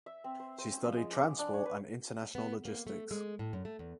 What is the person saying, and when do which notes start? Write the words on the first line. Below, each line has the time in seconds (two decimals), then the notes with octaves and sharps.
She studied transport and international logistics.
0.06 E5
0.24 C4
0.40 C5
0.58 C5
0.72 C#4
0.85 F3
0.97 G#3
1.13 D6
1.25 F#5
1.39 D4
1.54 C#5
1.65 B4
2.35 B3
2.65 A#3
2.87 A3
3.11 G#3
3.39 A2
3.53 F#2
3.65 A3
3.79 E2